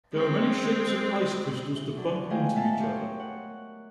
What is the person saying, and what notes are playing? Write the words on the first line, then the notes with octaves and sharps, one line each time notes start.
There are many shapes of ice crystals to bump into each other.
G#3 C4
E3
D3 F#3 D5
G#3 A3 G#4 F5 G5
B3 E5 F5 A5
G4 A#4 C5 C#5
F#5